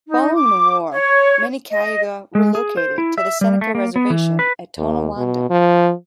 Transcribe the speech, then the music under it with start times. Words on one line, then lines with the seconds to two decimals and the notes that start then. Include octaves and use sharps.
Following the war, many Cayuga relocated to the Seneca reservation at Tonawanda.
0.08 D#4
0.34 D6
0.90 C#5
1.70 D#5
2.35 G#3
2.55 G#4
2.77 C5
2.98 E4
3.18 E5
3.41 G3
3.61 A3
3.75 A#3
3.96 B3
4.10 E3
4.39 B4
4.78 D#2
5.17 B2
5.50 F3